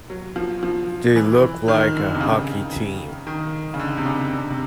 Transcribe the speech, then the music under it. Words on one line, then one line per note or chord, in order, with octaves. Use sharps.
They look like a hockey team.
F#3
F3
F3
E3
D#3
D3
C3
C#3
D#3
C#3
D3
C3
C#3
D3
C3